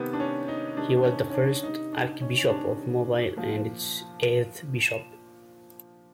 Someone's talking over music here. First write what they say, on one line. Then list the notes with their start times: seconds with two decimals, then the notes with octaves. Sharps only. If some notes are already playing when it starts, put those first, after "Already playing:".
He was the first Archbishop of Mobile and its eighth bishop.
Already playing: C3 D#3 B3
0.13 D4
0.20 C#4
0.48 D#4
0.77 C3 D#3 D4
0.97 D4
1.06 C#4
1.30 C#4
1.34 D4
1.63 C3 D#3 D#4
1.93 D4
2.21 C#4
2.39 C#4
2.49 C3 D#3 D4
3.37 A#2 F3